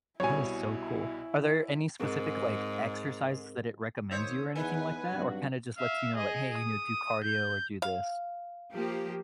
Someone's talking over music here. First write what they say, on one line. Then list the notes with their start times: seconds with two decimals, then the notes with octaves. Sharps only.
That is so cool. Are there any specific, like, exercises that it recommends you or anything like that or kinda just lets you know like, "Hey, you know, do cardio or do this?"
0.20 C2 B2 E4 C#5 G#5
2.00 G#2 C4 G#4 A#4
4.11 D#2 C5 C#5 E5 D#6
4.55 E2 B3 D#4 B4 G#5
5.12 G2 C3 F#3 F#4
5.78 E5 F5
6.16 G#4 D#5
6.57 D#6
7.24 G6
7.82 F5
8.73 F3 A#3 G4